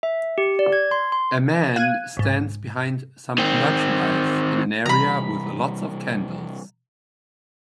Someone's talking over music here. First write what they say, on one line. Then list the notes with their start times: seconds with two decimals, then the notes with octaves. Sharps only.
A man stands behind some merchandise in an area with lots of candles.
0.03 E5
0.38 G4
0.59 D5
0.72 G#6
0.91 C6
1.12 C6
1.76 F5 F#6 G#6 D#7
2.17 C2 G#2
3.38 D#3 C4
4.86 C3 E3 G3 A#5 B5